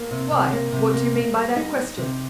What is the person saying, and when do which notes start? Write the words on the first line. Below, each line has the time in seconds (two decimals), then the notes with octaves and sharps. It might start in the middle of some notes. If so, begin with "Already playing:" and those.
"Why?--what do you mean by that question?"
Already playing: A#3
0.11 C3
0.31 C3
0.53 A#3
0.72 C3
0.93 A#3
1.14 A#3
1.34 G3
1.56 D#4
1.76 D#4
1.97 C3